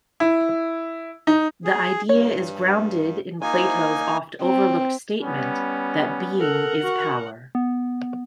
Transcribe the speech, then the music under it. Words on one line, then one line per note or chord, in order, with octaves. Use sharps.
The idea is grounded in Plato's oft-overlooked statement that being is power.
E4
D#4
G#4
G2 C#5
A#3 D#4 F4 G#5
E4 C5
C4
G3 B3 C#4
A4 A#4 F#5
F#4
B3